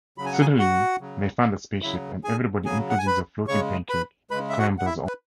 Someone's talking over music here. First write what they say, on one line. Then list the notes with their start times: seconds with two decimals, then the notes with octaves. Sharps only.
Suddenly, they find a spaceship, and everybody, including the floating pancake, clambers on.
0.18 C#3 F#3 B5
0.25 G#5
0.32 F#5
0.41 G#4 G#5
0.59 F#4 F#5
1.00 C#3 F#3
1.83 C#3 F#3 E4 E5
2.24 G#4 G#5
2.65 C#3 F#3 G#4 G#5
2.90 F#5
2.98 G#5
3.06 B4 B5
3.48 C#3 G#3 C#5 C#6
3.89 B4 B5
4.31 C#3 G#3 B4 B5
4.49 E5
4.58 F#4 F#5
4.78 F#5
4.85 E4 E5
5.07 B4